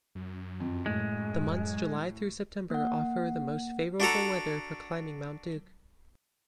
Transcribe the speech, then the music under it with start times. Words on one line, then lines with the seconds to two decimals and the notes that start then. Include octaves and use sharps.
The months July through September offer the most favorable weather for climbing Mount Duke.
0.15 F#2
0.60 F2
0.86 A2 G#3
2.70 A#3 F#5
4.00 D4 F#4 A4 A#5